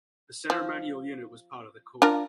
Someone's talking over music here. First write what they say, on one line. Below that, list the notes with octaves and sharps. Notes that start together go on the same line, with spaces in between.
The ceremonial unit was part of the corps.
F3
D4 F4 A#4